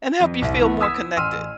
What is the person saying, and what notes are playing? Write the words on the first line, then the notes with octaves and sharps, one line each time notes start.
and help you feel more connected?
F2
C2 E5
E3 B3
D#6 E6 G#6 B6 E7
A1 C6 E6 F6 D#7